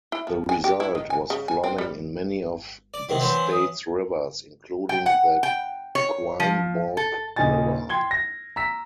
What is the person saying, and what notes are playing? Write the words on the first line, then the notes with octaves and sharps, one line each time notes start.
The result was flooding in many of the state's rivers, including the Quinebaug River.
E4
F3
G#5
G4
E4
D#3
G#5
C#3
G#5
C4
G3
D5
C3 D#3 F#3
E3 F#3 B3 C5
D#6
G5
F#5
G5
C#5
F3
A4
D#2 A#2 C#3 D#4 G#5 A6
G5 C6 G#6 G7
A#6
A#5 E6 B6